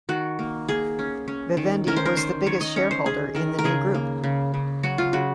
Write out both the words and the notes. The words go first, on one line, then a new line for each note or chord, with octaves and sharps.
Vivendi was the biggest shareholder in the new group.
D#3 F#4
A#3
A#3 G#4
C#4
C#4
D#3
C#4 A#4
C5
A#4
D#3 C5
D#3 C#5
D#5
C#4 C#5
C5
C#4 G#4
D#3 A#4
A#4
C#3 G#4
A#3
C#3
C#3
F#3 F#4
F4
C#3 F#4